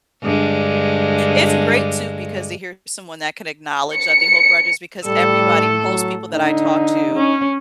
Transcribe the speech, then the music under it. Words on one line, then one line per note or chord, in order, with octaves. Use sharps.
It's great too because to hear someone that could acknowledge that they hold grudges because everybody, most people that I talk to,
G2 D3 G#3
C#7
A2 G3 A4
F#3
D3 D#4
C#4